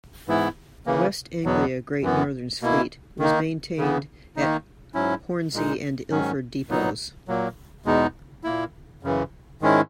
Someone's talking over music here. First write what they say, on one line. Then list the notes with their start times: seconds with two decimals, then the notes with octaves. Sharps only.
West Anglia Great Northern's fleet was maintained at Hornsey and Ilford depots.
0.28 G#2 E3 B3 E4
0.86 C#3 E3 A#3
1.44 E2 B2 F#3 B3
2.02 F#2 E3 B3
2.62 B2 A#3 E4
3.19 D#3 A#3 D#4
3.78 C#3 E3 B3
4.36 D#3 A#3 D#4
4.94 G#2 F#3 C#4 E4
5.53 A#2 G#3 D#4
6.11 G#2 D#3 F#3 C#4
6.69 A#2 F#3 B3 D#4
7.28 A#2 F#3 A#3
7.85 E2 B2 G#3 B3 D#4
8.44 A#2 A#3 E4
9.03 F#2 C#3 E3
9.61 G#2 D#3 G#3 C#4 E4